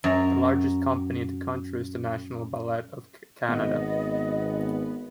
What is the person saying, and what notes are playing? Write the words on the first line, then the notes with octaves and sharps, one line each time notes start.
The largest company in the country is The National Ballet of Canada.
F#2 A#5
G#1 B3 D#5